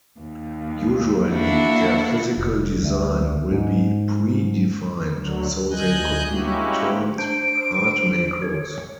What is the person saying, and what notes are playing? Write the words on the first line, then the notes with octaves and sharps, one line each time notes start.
Usually their physical design will be pre-defined so they could be termed "hard macros".
D#2
A#3 D4 E4 F#4
F1
D2
G#2
D2 D3 F#3
D2 D#5 G#5 F#6 G6
G#3 A#3 C#4 E4 F#4 G4
D4 C5 D7
C#5